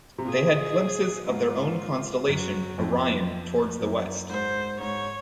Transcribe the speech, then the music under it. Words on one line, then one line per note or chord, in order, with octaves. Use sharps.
They had glimpses of their own constellation, Orion, towards the west.
C3
A#2 G#4
G#2 F4
F#2 F#4
F2
F#2
G#2 C5
G#2 C#5